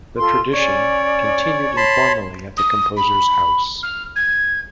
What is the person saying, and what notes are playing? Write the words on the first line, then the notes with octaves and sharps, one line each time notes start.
The tradition continued informally at the composer's house.
F4 A4 C6
C#4 C#5 D5
C#5 A5 B5 C6
D#6
B5
F6
G#6